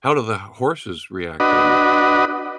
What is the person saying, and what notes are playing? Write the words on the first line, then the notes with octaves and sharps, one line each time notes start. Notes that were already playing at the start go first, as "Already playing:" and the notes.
how do the h horses react, um
D4 F#4 B4 D#5